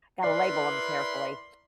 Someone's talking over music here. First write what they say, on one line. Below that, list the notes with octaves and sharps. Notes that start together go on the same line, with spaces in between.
Gotta label 'em carefully.
E4 A#4 B4 D5 B5 C6 C7